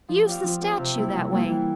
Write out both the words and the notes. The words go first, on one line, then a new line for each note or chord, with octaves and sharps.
"Use the statue that way."
F3
C4 G4 D5 F5
F3
C4 G4 D5 F5
C3
G3 A#3 E4
C3
G3 A#3 E4
E3